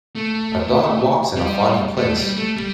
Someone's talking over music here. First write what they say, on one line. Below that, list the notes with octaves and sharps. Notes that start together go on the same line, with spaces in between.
A dog walks in a foggy place.
A3
G3
A3
G3
A3
G3